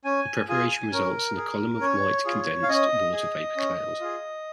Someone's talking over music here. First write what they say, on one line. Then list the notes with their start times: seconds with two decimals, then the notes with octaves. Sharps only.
The preparation results in a column of white condensed water vapour cloud.
0.04 C#4 G#5
0.49 F4 G#4 G#5
0.93 C#4 A#4
1.37 G#4
1.81 C#4 C#5
2.25 F4 G#4
2.63 F5
2.69 C#4 D#5
3.13 G#4
3.56 C#4
4.00 F4 G#4